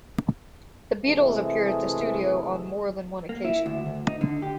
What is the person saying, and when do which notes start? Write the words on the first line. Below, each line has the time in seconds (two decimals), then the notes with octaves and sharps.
The Beatles appeared at the studios on more than one occasion.
1.04 C3 E3 G#3 A3
3.29 A#3
3.45 E4
3.66 D2
3.86 D2
4.07 D#4
4.21 D3
4.42 G4